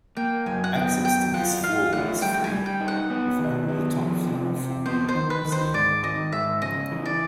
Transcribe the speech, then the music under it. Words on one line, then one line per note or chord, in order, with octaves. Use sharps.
Access to this floor was free, with only the top floor forming the museum.
A#3 G5
F#2 G#5
F#5
B3 G5
F#2 G5
F4 F#5
F4 F5
A3 F#5
G3 G5
G5
G#5
G3
G5
D#4
F#5
B3
D#3
B3
F3
C3
C3
B3 C5
C5
D#3
B4
D#3
C5
G#2 D5
D#3 D#5
G#2 E5
C#3 D#5
E3
D5